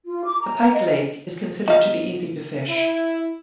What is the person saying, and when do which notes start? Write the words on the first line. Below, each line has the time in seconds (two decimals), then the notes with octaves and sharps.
The Pike lake is considered to be easy to fish.
0.05 F4
0.24 D6
0.41 A#5
0.74 D#5
1.68 D#4 F5
2.68 E4